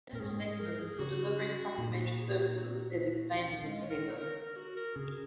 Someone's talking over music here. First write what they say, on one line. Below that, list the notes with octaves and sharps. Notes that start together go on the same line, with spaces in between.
The general mechanism for delivering supplementary services is explained in this paper.
A#2 A#4
G#2 G#4
G#4
A#4
G#4
C#3 F#4
A#2 D#4
F#4
G#4
F#4
D#4
F#4
C#4
G#3
C#5
A#4
C#5
A#4
A#4
F#4
A#4
C#3 G#4